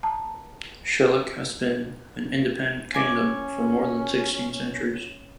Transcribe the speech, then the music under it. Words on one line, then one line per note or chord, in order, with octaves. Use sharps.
Shilluk has been an independent kingdom for more than sixteen centuries.
A5 A#5
C#4 G#5 D6